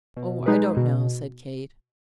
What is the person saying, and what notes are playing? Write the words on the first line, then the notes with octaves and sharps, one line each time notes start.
"Oh, I don't know," said Kate.
B2
G#3 D#4 G#4 B4
B2